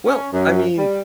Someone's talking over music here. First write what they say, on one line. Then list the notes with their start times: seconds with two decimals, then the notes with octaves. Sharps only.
Well, I mean,
0.06 C#4
0.33 F#2
0.78 G3